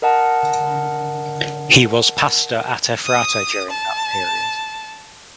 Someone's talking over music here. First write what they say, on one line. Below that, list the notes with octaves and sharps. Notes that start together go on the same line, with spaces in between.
He was pastor at Ephrata during that period.
A#4 D#5 F#5 A5
D#6
A5